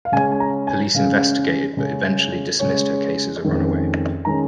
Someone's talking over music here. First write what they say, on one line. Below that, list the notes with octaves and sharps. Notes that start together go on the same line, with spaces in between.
Police investigated but eventually dismissed her case as a runaway.
F5
C#3 G#3 C#4 G#5
G#5
A#5
G#5
C#3 G#3 C#4 F5
C#3 G#3 C#4
C#3 G#3 C#4 C#5
F2 D#3 G#3 C#4
D#3 G#3 C#4 A#5